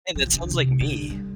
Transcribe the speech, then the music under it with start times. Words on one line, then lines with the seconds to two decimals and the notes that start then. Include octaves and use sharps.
And that sounds like me.
0.16 C2 F3
0.34 D#3 D4
0.51 C3
0.81 D3
1.10 G3